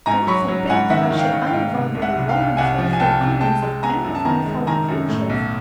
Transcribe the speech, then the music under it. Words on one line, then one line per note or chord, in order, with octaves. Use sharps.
God forbid that I should undervalue the warm and faithful feelings of any of my fellow-creatures!
G#2 G#5 A#5
F#3 B5 C#6
F#3
G#2 F#5 G#5
D#3 E5 F#5
D#3
F5 G5
D#3
F5 G5
G#2
C3
C2
E5 F#5
C2
F5 G5
C2
C2 F#5 G#5
F3
G#5
C2 G5 A5
C3
G#3 G5 A5
G#3
B3 G#5 A#5
F#2
A5
D#3 G#5 A#5
G#3
D#3 G#5 A#5
F#2
A2
B1